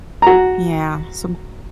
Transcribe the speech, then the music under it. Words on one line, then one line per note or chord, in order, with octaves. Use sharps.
yeah, so
F#4 A#5